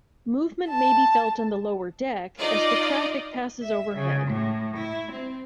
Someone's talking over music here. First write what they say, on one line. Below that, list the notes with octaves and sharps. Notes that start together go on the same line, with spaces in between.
Movement may be felt on the lower deck as the traffic passes overhead.
A5
D#4 F4 D5 D#5
E5
C#3
A2
E4
C4